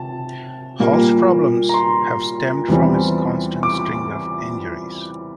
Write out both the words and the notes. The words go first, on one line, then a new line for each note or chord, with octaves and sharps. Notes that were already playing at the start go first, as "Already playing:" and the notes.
Hall's problems have stemmed from his constant string of injuries.
Already playing: C3 A5
A#2 G3 A#3
A#5
C6
E2 E3 G3 C4
D6